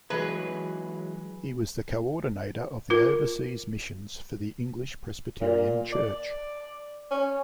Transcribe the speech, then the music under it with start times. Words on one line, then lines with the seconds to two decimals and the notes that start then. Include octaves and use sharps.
He was the coordinator of the Overseas missions for the English Presbyterian church.
0.10 E3 F#3 G#3 G#4 B4
2.90 F4 A#4
5.41 A#2
5.93 D5
7.11 C#4